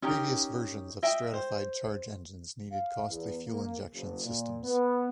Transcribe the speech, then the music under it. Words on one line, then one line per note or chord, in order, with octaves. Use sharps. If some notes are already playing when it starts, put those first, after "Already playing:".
Previous versions of stratified charge engines needed costly fuel injection systems.
C#4 D#4 G4 A#4
D#5 E5 G5
C5
F5
E2
A#3
F#1
A#2
B3